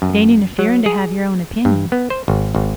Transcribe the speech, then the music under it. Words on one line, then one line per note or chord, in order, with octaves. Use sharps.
It ain't interfering to have your own opinion.
F#2
F#3
G#4
G2
B3
C5
G#1
G#1